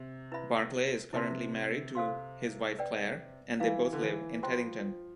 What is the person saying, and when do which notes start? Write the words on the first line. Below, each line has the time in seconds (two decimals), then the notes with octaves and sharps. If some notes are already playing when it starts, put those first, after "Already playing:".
Barclay is currently married to his wife Clare, and they both live in Teddington.
Already playing: C3
0.32 E4 B4 E5 B5
1.13 C3 E4 B4 E5 A5 C6
1.95 A4 C5 F5 C6
2.79 B4 D5 G5
3.60 E3 E4 B4 F5
3.93 D3
4.01 E3
4.43 F3 F4 C5 G5 C6